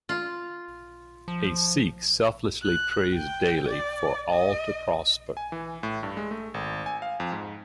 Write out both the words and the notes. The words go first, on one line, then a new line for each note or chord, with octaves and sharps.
A Sikh selflessly prays daily for "all to prosper"'.
F4
F3
F#6
G5
D5
D#5
G#5
E3
A2
G2
G#3
A3
G#1
G#5
F5
F2
G#2